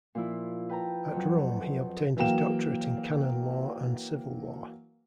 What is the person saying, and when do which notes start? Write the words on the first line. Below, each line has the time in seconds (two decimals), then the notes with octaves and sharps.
At Rome he obtained his doctorate in canon law and civil law.
0.15 A#2 F3 A#3 E4
0.69 B4 G5 A5 A#5
1.12 F2 F#3
2.17 E3 F#3 A#3 G5 E7